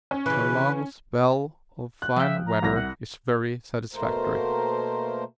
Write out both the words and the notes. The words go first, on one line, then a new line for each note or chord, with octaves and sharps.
The long spell of fine weather is very satisfactory.
C#4
C#3 E3 B4
F#6
F3 E5 G5
A#5
C2 A#6
F#5
B2 A3 A#3 A#4 C5